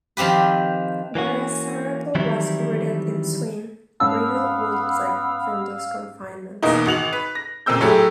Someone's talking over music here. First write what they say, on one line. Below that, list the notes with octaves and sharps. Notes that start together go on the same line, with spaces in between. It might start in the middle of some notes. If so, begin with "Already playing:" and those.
Whereas Siravo was rooted in swing, Riddle would break from those confinements.
D#3 F3 C4 G4 B4
E3 A#3 C#4 F#4
D#3 E3 F#3 G3 C4 E4
G#2 B3 C#4 F5 A5 E6
E2 B2 A#3 D#4
G#1 F#4 F7 F#7
B4
A#6
A#2 C#3 C4 E6 G6
A2 F#3 A3 G4 G#4